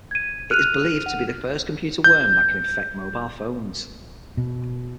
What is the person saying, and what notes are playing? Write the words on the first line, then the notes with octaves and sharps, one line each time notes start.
It is believed to be the first computer worm that can infect mobile phones.
G#6 D#7
F6 F#6 D#7 F7
F#5
G6
B2